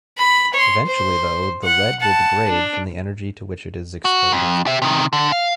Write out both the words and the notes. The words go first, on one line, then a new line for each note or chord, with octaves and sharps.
Eventually though, the lead will degrade from the energy to which it is exposed.
B5
C#5 C6
C5
F#5
F#5 A5
D4
F#4
F2
G4 E5
C3 D#3
D3
F5